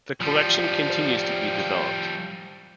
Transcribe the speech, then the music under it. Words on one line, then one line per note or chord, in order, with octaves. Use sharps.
The collection continues to be developed.
F3 G3